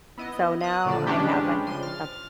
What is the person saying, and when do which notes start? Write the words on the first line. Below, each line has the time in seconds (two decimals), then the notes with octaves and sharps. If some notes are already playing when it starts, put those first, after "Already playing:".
So, now I have a h a
0.18 B3 E4 D#5
0.60 D#6 F#6
0.85 A#2 D3 F3 D5 E7
1.06 G3 G#3 C#4 D4 G4 B4
1.66 C#3 F3 C6 D#7
1.83 F6 A6